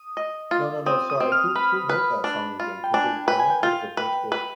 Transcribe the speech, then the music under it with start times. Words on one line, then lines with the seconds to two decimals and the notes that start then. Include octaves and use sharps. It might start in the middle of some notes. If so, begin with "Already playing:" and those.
No, no, no, sorry, who who wrote that song again? 'Cause it w I know it was a big hit.
Already playing: D#6
0.17 D#5
0.51 F4
0.86 C4 D#6
1.10 D#6
1.20 C4
1.32 F6
1.56 B4 B5
1.89 B4
2.24 D4
2.60 F4
2.84 G5
2.93 D4 G#5
3.28 B4 G5
3.40 G#5
3.50 G5
3.63 F4 G5
3.97 B4
4.32 B4